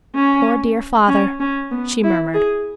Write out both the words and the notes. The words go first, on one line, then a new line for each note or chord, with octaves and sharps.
"Poor, dear father," she murmured.
C#4
C#4
C#4
B3
E4
G#4